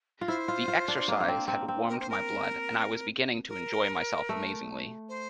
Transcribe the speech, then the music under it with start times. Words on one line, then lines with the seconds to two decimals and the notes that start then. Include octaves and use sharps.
The exercise had warmed my blood, and I was beginning to enjoy myself amazingly.
0.21 F4
0.28 E4 C5
0.48 F4
0.68 F4
0.88 D4
1.08 A#3
1.20 A#3
1.28 C4
1.48 C4
1.68 C4
1.88 A#4
1.99 C5
2.09 A#4
3.48 A#4
4.29 A3
5.09 C5